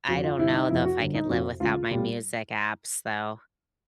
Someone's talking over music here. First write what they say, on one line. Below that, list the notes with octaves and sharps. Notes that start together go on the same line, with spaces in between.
I don't know, though, if I could live without my music apps, though,
F2 C3 F3 F#4
F4
G1 E4
D#4
F2 C3 F3 E4
F#4
G1
D#4
F2 C3 F3 F#4
C#2 F4
B2 G3